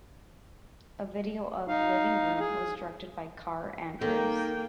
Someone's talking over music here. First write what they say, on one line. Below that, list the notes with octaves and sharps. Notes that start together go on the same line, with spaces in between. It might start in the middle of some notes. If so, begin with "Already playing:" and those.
A video of "Living Room" was directed by Kaare Andrews.
D#4 F5
G#4
D#3 A#3 A4 G5